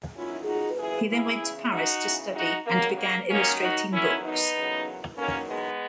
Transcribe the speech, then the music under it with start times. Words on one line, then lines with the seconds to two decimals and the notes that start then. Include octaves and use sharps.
He then went to Paris to study and began illustrating books.
0.16 E2 D#3 F#3 C#4 E4
0.47 D#4 F#4
0.78 F#2 E3 E4 G#4
1.09 E4 G#4
1.41 E2 C#3 E3
1.73 D#4 F#4
2.04 E2 C#3 E3
2.35 D#4 F#4
2.66 D#2 C#3 F#3 A#3
2.98 A#3
3.30 D#2 D#3 F#3 A#3 C#4
3.61 D#4 F#4
3.92 E2 D#3 F#3 C#4 E4
4.23 B3 D#4
4.55 E2 C#3 F#3
5.17 E2 D#3 F#3 A#3 C#4
5.49 G#3 B3